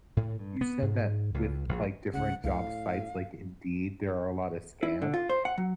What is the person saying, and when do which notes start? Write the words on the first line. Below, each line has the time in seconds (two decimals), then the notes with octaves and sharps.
you said that with, like, different job sites like Indeed, there are a lotta scams.
0.17 A2
0.39 G2
0.61 B3
0.82 G#2
1.34 C#2
1.69 A#1
2.14 C#2 C#3 F#5
2.44 C#2 A2 F5
4.83 E4
5.02 D3
5.14 F4
5.29 C5
5.45 F#5
5.58 F#3